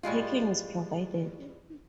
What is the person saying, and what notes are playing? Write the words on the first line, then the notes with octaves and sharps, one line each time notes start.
Parking is provided.
A2 G3 G#3 F4